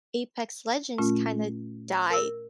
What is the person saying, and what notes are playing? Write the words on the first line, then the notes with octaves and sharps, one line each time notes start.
Apex Legends, kinda, died
A#2 A3 C#4 F4
A#4 E6